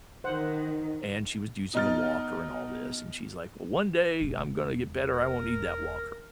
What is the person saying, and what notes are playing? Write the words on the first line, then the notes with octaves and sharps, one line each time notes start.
and she was using a walker and all this, and she's like, "Well, one day I'm gonna get better, I won't need that walker."
D#3 C5 F#5
B2 D#4 D#5 F6 A6
E1 C3
A#4